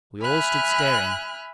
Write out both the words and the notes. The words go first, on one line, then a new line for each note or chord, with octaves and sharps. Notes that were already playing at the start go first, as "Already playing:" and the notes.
We all stood staring.
E5 G#5 B5 F6 F#6